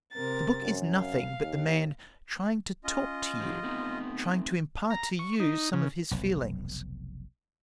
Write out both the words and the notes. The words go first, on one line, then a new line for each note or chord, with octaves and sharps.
The book is nothing but the man trying to talk to you, trying to impart to you some of his feelings.
C3 A#4 A6
F#2
F5
D#2
C#4 F4 D#5
F3 G4
A3 B3 C4 D#4
A#5
C#6
D#4
C#3
F1 B1